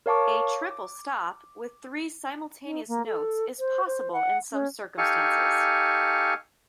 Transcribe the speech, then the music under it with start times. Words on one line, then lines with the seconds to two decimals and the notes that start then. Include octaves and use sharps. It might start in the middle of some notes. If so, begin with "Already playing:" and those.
A "triple stop" with three simultaneous notes is possible in some circumstances.
0.06 A#4 C#5 F5 A5 C#6 D6
0.71 D6
2.65 D#4
2.88 A#3
3.06 A4
3.59 C5
3.87 C5
4.13 F#5
4.52 C#4
4.98 D#4 G4 A4 F5 G#5 C#6